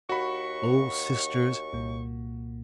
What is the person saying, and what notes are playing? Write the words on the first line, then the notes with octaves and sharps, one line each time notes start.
Oh! sisters!
D#2 F#4 B5 C#6
C2 A#2 A#3